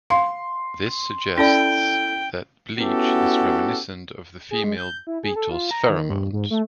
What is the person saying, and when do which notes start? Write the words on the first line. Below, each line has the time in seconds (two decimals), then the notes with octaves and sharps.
This suggests that bleach is reminiscent of the female beetle's pheromones.
0.10 F5 C6
1.38 C#4 E4 A4 D5 G5
2.79 B3 C#4 E4 F#4 G4 A4
4.51 G#4
4.64 G#3
4.77 G6
5.07 E4
5.24 G#4
5.36 A4
5.51 F4
5.71 A#5
5.90 D#3
6.10 G2
6.33 G#2
6.51 A3